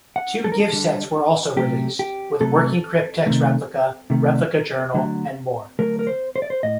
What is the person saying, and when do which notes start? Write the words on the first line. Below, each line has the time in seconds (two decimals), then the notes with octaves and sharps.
Two gift sets were also released, with working cryptex replica, replica journal, and more.
0.16 F#5
0.44 A4
0.52 A#4
0.60 A4
0.72 D3 G3
1.57 C3 F#3 A3 G4
1.99 G4
2.41 C3 F#3 A3 A4
3.26 C3 D#3 A3
4.10 C3 D#3 A3
4.94 D3 F#3 A3
5.79 D3 F#3 A3 A#4
5.99 A#4
6.07 C5
6.36 C5
6.42 D5
6.50 C5
6.63 A2 D#5